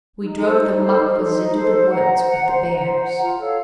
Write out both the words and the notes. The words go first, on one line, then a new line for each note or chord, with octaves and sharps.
We drove the Maquas into the woods with the bears.
D#4
A4 C5
D#4
A4 C5
D#4
A4 C5
D#4
A4 C5
C5
F#5 A#5
C5
F#5 A#5
C5
F#5 A#5
C5
F#5 A#5
F4
A4 C#5 F5